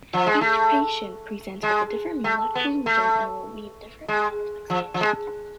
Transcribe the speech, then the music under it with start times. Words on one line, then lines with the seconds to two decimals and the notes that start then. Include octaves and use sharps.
Each patient presents with different malocclusion and will need different amount of expansion.
0.13 F3
0.27 G#3
0.41 A3
1.63 G#3
2.24 A3
2.55 B3
2.86 A3
4.08 G#3
4.70 F3
4.94 F3
5.01 G#3